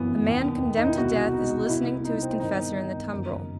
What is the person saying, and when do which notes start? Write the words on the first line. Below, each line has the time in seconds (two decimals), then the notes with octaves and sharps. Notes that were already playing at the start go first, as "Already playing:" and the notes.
A man condemned to death is listening to his confessor in the tumbrel.
Already playing: G1 F#2 E3 B3
0.27 E1 D#2 D#3
0.77 D#4
0.87 E4
0.98 C2 B2 F#4
1.34 D#4
1.69 C2 B2 E4
1.87 E4
2.05 D#4
2.22 C4
2.40 G1 G2 D#3 D#4
3.11 F#1 F#2 D#3